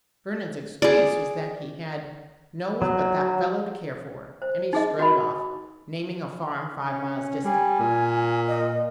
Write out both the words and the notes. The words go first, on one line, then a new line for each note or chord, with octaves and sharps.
Vernon's excuse was that he had "no one but that fellow to care for", and he strode off, naming a farm five miles distant.
G#4 D5
F#3
C5
D#4 G#4 D#5
F#4 D#5 B5
C#4
G3 G#5
A#2
D#5